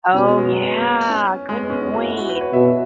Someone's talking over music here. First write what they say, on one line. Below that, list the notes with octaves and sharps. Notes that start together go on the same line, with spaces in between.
Oh, yeah, good point.
B2 C#4
B3
G#3
F#3
B3
C#4
G#3
B3
C#4
C#4
F#4
E4
F#4
B4
C#5
B2 E5